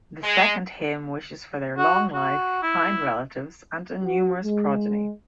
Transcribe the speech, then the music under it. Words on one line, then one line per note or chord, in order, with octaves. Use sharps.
The second hymn wishes for their long life, kind relatives, and a numerous progeny.
G#3
F#4
F#4
E4
F#4
G#3